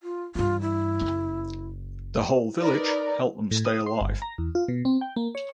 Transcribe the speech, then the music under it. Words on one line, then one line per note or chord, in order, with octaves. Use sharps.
The whole village helped them stay alive.
F4
G2 E3 F4
E4
F#1
D#4 A#4 B4 D5
A2
D#6
C6
G1
A#5
E2
F4
B2
C4
G5
A#3
C#5